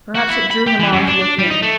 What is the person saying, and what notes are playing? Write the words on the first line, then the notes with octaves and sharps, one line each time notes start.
Perhaps it drew him on to look in.
F#4
E4
B5
G4
E3
F#2
D4
D4
G3
D#4
A3